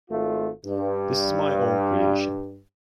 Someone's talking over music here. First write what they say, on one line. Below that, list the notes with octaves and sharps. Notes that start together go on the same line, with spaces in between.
This is my own creation.
G#1 A3 F4
G2